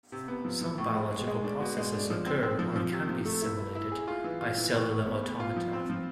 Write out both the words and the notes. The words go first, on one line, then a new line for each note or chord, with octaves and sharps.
Some biological processes occur-or can be simulated-by cellular automata.
C3
B3
F3
F3
A2
G#3
G#3
G#3
D4
B2
G#3
D4
F3
C4
C4
F3
F3
C3
F3
A3
E4
E4
E4
G#4
F4
E3
F4
E3
A2
A2
B3
B3
F4
F3
C4
F3